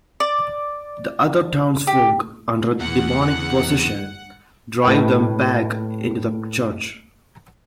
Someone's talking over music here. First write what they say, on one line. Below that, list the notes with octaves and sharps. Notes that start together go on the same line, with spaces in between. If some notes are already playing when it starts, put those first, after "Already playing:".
The other townsfolk, under demonic possession, drive them back into the church.
D5
G4
E2 F#5
A2 B4 G5